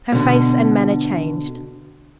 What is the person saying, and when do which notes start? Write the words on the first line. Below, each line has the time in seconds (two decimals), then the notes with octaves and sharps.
Her face and manner changed.
0.12 B2 D3